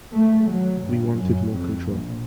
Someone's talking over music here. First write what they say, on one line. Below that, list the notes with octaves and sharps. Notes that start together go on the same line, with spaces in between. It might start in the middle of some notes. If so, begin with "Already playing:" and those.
We wanted more control.
A3
F#3
G2
F#2
F2
A#1